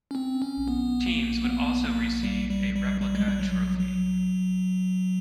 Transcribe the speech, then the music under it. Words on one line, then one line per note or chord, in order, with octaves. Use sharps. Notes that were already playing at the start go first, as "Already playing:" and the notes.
Teams would also receive a replica trophy.
C#4
C4
C#4
B3
A#3
B3
A#3
G3
G3
G3
G3
G#3
G3
F#3
F#3